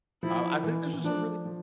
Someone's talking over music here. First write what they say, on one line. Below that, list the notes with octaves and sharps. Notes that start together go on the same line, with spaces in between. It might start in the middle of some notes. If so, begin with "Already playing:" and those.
I w I think this is a really
F3 E4
E3
E3
F3 D4
F3